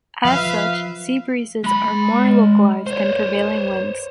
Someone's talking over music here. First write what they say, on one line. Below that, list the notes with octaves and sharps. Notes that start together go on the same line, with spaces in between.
As such, sea breezes are more localised than prevailing winds.
F3 B4 E5 F5
G#3 B5
C5 C#5